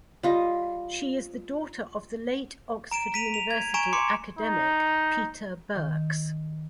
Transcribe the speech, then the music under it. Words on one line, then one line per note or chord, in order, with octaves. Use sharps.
She is the daughter of the late Oxford University academic Peter Birks.
G3 F4 D#5
A#5 D7 E7
B6 D#7 F7
F7
G#6
G#5 A#5 C#6 D7 E7
C6 D6 C#7
D#4
D#3